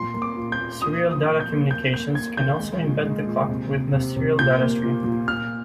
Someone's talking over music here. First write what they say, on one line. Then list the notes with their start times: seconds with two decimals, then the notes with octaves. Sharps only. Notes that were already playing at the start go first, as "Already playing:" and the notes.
Serial data communications can also embed the clock within the serial data stream.
Already playing: A#2 C6
0.14 A#3
0.22 D6
0.37 A#2
0.52 G6
0.59 A#2
0.81 A#2 D#6
1.04 F3
1.11 D#6
1.26 A#2
1.40 G6
1.49 A#3
1.71 A#3 G6
1.93 A#3 G6
2.15 A#3 G#6
2.37 D#3 G6
2.59 G#3
2.83 A#2
3.04 G#3
3.27 A#2
3.49 C3
3.71 C3
3.93 C3
4.16 C3
4.39 A#2 G6
4.61 A#3
4.83 A#2
5.05 A#2
5.28 A#2 F6